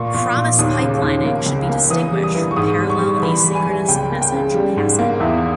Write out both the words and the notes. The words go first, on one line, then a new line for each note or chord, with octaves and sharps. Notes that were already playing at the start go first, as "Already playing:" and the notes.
Promise pipelining should be distinguished from parallel asynchronous message passing.
Already playing: A#2 C#6
A#2
A#2
D#2 D#6
C#3
D#2
A#3
C#2
A#3
E3 D#6
G3
D#6
E3
C#6
G#2 D#6
G3
C#6
G3
E3 B5
G3
G#5
G3
C#2 G5
A#3
G5
C#3
G3
G#2
A#3
E2 E5